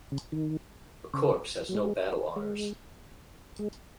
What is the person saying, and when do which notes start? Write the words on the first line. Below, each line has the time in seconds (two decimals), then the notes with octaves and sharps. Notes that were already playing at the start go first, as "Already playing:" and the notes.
The Corps has no battle honours.
0.12 C#3
0.32 D#3
1.14 C#3
1.69 F#3
1.75 G#3
2.36 G#3
3.59 G#3